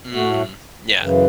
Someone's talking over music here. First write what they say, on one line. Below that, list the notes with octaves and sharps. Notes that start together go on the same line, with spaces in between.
Mm, yeah.
A2 A3 F#4
F#2 C#3 E3